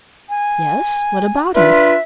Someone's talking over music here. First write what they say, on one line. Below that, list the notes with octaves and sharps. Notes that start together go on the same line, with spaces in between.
"Yes, what about him?"
G#5
D4 F4 B4 E5